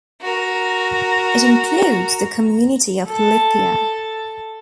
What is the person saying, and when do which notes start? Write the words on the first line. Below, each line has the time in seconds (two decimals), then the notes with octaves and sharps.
It includes the community of Lithia.
0.21 F#4 A#4
3.07 A4 A5